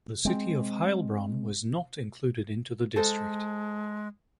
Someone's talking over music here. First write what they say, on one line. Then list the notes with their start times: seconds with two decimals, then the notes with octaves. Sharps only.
The city of Heilbronn was not included into the district.
0.25 G#3 C4
2.96 G#3 A4 C5